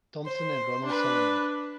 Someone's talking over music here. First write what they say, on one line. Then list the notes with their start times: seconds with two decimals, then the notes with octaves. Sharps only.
Thompson and Ronald Solomon.
0.25 C5
0.85 D4 B4